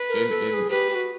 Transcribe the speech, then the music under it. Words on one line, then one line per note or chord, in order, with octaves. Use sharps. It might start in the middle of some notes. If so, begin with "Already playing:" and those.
in in
Already playing: B4
A#4
A4
A4
G#4
G4 B4
G4
F#4